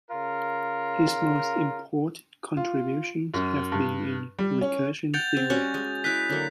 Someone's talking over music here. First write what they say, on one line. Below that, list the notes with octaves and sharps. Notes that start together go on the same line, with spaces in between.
His most important contributions have been in recursion theory.
C#3 F4 A#4
F4
F#2
G2
G3
C#4
F#5 G5 G6 A6 F7
C4
G3 C#4 F#4
G#3
E4 D#5 F#6 B6
D3 F#3 A#3